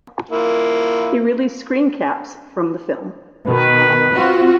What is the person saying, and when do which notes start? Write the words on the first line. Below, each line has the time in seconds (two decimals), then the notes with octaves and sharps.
He released screencaps from the film.
0.31 A#3 E4 F4
3.46 B2 D#3 B4
4.15 C4 F4 F#4